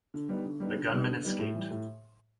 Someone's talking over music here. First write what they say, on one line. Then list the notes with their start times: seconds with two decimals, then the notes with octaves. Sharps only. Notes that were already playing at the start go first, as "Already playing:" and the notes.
The gunmen escaped.
0.14 D3
0.29 G3 B3 D#4
0.45 D3
0.60 G3 B3 D#4
0.76 D3
0.92 G3 B3 D#4
1.07 D3
1.23 G3 B3 D#4
1.39 A2
1.54 E3 G3
1.70 A2